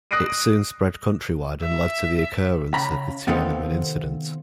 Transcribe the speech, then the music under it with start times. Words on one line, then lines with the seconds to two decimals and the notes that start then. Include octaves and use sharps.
It soon spread countrywide and led to the occurrence of the Tiananmen Incident.
0.11 D#6 F#6 A#6 C7 D7 D#7
1.61 E5
2.74 C#3 A#5 B5
3.27 C3 D#3 B3 C4 A4 F5